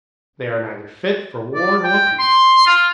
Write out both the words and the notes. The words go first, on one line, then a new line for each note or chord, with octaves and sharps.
They are neither fit for war nor peace!
D5
G5
C6
F4